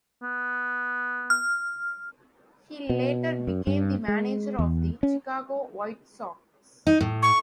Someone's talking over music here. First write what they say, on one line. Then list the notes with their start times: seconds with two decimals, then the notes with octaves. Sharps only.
He later became the manager of the Chicago White Sox.
0.22 B3
1.30 F6
2.89 B2
3.47 F#2
3.67 G2
4.08 G#3
4.59 E2
5.03 C#4
6.87 D#4
7.01 A2
7.23 C#6